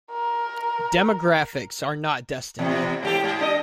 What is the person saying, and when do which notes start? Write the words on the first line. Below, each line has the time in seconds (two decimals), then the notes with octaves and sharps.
Demographics are not destiny.
0.12 A#4
2.59 E2 C3
3.03 G#2 G4 A4
3.24 G#2
3.41 D4 A4 D#5